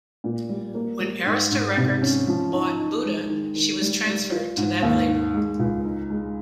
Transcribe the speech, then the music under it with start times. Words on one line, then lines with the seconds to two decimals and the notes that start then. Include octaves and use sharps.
When Arista Records bought Buddha, she was transferred to that label.
0.24 A#2
0.49 G3
0.74 A#3
1.00 G3
1.26 G#2
1.51 G#2
1.77 C3
2.02 C#4
2.28 F3
2.53 D#4
2.79 D#4
3.04 G#3
3.30 D#3
3.55 D#3
3.81 G3
4.06 G3
4.32 F4
4.57 G#2
4.82 D#2
5.08 D#3
5.34 G#3
5.59 C#2
5.85 D#4
6.10 G#3